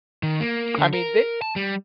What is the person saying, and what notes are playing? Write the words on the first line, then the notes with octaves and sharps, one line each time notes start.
I mean, they
D#3
A#3
D3
A#4
A5
G3